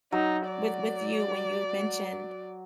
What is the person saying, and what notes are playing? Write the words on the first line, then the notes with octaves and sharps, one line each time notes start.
with with you, when you mentioned,
F#3 D#4
D5